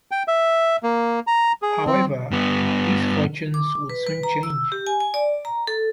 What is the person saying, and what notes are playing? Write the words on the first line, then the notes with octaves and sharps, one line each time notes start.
However, his fortunes would soon change.
G5
E5
A#3
A#5
G#4
C4
G2 B3
D6
B4
B4
A#5
E6
G4
G#5
G#5
D5
A#5
A4